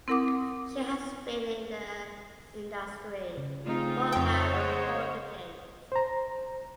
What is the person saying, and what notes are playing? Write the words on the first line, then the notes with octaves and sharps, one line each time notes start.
She has been in the industry for about four decades.
C4 E4 A#4 F#5 D6 D#6
C#3
A3 C4 D#4 F4 G#4
F2 C5 C#5 G5
G#3 F#5
C5 A#5